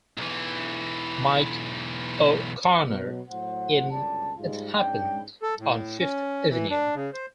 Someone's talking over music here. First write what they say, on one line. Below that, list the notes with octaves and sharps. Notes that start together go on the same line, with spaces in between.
'Mike' O'Connor in "It Happened on Fifth Avenue".
B1 E3
B2 F#3
A2 F#3 C5 F#5
G1 C#2 F#2 G3 D5 A5
G#2 G3 G#3 F4
G#2 C#4 D4 G5
A4
A2
C#4
E3
D4
C#3
C5